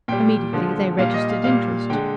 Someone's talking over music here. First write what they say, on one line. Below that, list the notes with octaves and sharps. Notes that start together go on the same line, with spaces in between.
Immediately, they registered interest.
A#2 G3 G5
D3 F3 G#3
A#2 G3 F5
D#5
F5
A#2 G3 F5
D3 G#3 G5